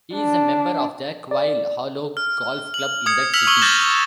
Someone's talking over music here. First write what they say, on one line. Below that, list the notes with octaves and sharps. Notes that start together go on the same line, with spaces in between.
He is a member of the Quail Hollow Golf Club in that city.
D4
D5
F6
F#7
D#6 G#6 C#7
E6 F6 B6 F7 F#7
C#6 D#6 E6 F#7 G7
D6 F6 G6 A6 A#6 E7